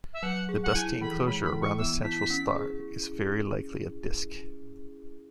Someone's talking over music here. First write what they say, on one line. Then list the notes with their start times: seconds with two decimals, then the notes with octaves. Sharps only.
The dusty enclosure around the central star is very likely a disc.
0.13 E5
0.23 F#3 F#5
0.49 G#4
0.63 F#5
0.75 E4 G#5
1.01 E3 B5
1.27 G#3 B5
1.44 B5
1.53 E3
1.62 C#6
1.78 B3 E6
2.04 E4 B6
2.30 C#4
2.55 G#4